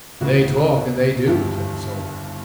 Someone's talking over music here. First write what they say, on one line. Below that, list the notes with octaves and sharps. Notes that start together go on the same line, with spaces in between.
"They talk--and they do," said the soldier.
D2 C#3 E3 F#4
B1 B2
G1 G2 E3 G4